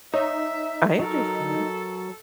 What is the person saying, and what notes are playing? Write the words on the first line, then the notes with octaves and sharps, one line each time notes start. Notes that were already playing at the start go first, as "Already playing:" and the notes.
I understand.
D#4 C#5 E5
F#3 A4 A#4